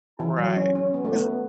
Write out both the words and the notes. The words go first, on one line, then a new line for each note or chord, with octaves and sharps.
Right. 'Cause
E3
F#3
C#4
C#4
B3
A3
B3